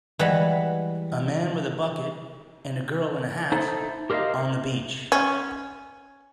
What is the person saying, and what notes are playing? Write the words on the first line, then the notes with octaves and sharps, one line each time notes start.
A man with a bucket and a girl in a hat on the beach.
E3 G3 G#3 F#5 B5
D#4 E4 A4 C5
G4 A#4 C5 C#5 D#5 F5
C#4